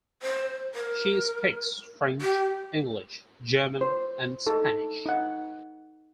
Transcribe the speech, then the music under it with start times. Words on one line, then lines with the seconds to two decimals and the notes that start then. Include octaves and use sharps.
She speaks French, English, German and Spanish.
0.22 C5
0.75 A#4
2.22 G4
3.81 C5
4.46 D#4 A4
5.06 D#4 F#5